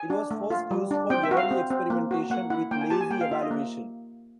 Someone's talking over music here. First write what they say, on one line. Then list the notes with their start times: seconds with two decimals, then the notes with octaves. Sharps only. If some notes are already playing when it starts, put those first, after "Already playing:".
It was first used for early experimentation with lazy evaluation.
Already playing: G#5
0.10 D4
0.31 A3
0.50 F4
0.71 G3
0.91 D4
1.10 C4 G5
1.23 E5
1.31 F#4
1.37 F5
1.51 C4
1.70 C4
1.90 A#3
2.11 F#4
2.30 A#3 F#5
2.50 E4 F#5
2.71 A#3 G5
2.81 G#5
2.90 G4 A5
3.01 G#5
3.10 A#3 G5
3.21 F5
3.31 F4 E5
3.42 D#5
3.51 A#3